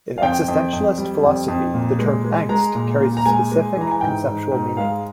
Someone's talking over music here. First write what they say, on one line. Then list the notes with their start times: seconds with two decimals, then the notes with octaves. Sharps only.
In Existentialist philosophy the term "angst" carries a specific conceptual meaning.
0.18 F5
0.22 F2 G5
0.48 F2
0.73 F2
0.98 G3
1.23 F2
1.48 F2
1.74 A#2
1.99 G#3
2.24 G#3
2.49 G#3 A#5
2.75 A#2
3.00 A#2
3.17 A#5
3.25 G#3 G#5
3.52 G#3
3.77 E3 A#5
3.91 G#5
4.01 G#2 G5
4.27 G#2
4.52 G#2
4.77 G#3 F5